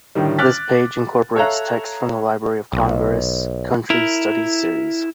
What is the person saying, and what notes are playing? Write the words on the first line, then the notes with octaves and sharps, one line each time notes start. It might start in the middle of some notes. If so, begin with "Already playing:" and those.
This page incorporates text from the Library of Congress's Country Studies series.
A2 D3 D#3 G3
D6 F6 F#6 A6 B6
A4 C#5 E5 F5 A#5 F#6
B1
E4 A#4